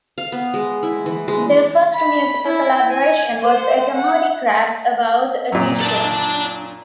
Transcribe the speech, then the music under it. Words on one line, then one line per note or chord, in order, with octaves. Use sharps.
Their first musical collaboration was a comedic rap about a teacher.
F5
B3
G#3
E4
E3
G#3
B5
E4
G#5
C5
F#5
F#2 A#2
D5 A5